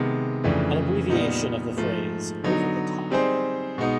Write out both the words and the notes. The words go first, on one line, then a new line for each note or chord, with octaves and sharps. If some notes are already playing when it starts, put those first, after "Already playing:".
An abbreviation of the phrase "over the top".
Already playing: C3 D#3 G#3 B3
F2 C#3 E3 A3 D4
A#2 G3 B3 D#4
G#2 F3 A3
D3 F#3 B3 D#4
G3 C4 D#4 G#4 C5
B2 G#3 B3 D#4